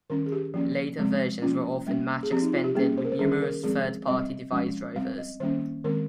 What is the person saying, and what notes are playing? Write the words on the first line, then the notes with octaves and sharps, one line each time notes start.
Later versions were often much expanded with numerous third-party device drivers.
D#3 G3 C#4 A#4
G#4
G4
F3 A#3 C#4
F3 G#3 C4
F3 A#3 C#4 F4
G3 A#3 C#4
G#4
F3 C4 G4
D#4
F4
G4
G3 A#3 C#4 G#4
C5
A#4
C5
D#3 G3 C#4 G#4
G#4
A#4
F3 G#3 C4 G#4
G3 C4 D#5
F3 G#3 C#4
G3 C4 F5
D#5
D#3 G3 A#3 C#4 C5
D#3 G#3 C4 A#4